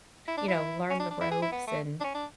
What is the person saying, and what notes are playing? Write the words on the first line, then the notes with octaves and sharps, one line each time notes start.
you know, learn the ropes and
E4
D4
E4
C#4
D4
D4
E4
G#4
E4
B3
A3
D4
C#4
D4